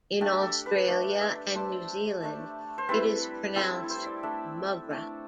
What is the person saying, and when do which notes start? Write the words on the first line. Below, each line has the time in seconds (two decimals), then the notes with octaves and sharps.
In Australia and New Zealand it is pronounced "MuhGrah".
0.21 A3 D4 G4
0.42 A4
0.66 B4
0.88 A3 D4 D5
1.21 E5
1.55 A3 D4 C5
2.22 A3 D4
2.78 C5
2.89 G3 C4 E4 B4
3.56 G3 C4 E4 A4
3.90 C5
4.06 D5
4.23 A3 D4 E5
4.90 A3 D4